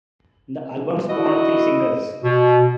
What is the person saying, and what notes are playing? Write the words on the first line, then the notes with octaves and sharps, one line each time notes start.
The album spawned three singles.
E4 F#4 D#5
B2